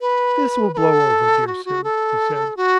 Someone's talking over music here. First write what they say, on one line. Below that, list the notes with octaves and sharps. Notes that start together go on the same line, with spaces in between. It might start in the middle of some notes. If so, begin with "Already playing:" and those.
"This will blow over, dear Sue," he said.
B4
B4
A4
F#4
F#4
A4
F#4